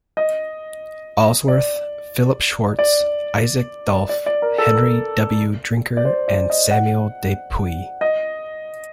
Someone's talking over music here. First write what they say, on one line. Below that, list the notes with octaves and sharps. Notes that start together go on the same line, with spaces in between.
Allsworth, Philip Swartz, Isaac Dolph, Henry W. Drinker, and Samuel De Puy.
D#5
D5
D5
D5
D5
A#4
A4
A#4
D5
C5
D5
D#5
F#5
D#5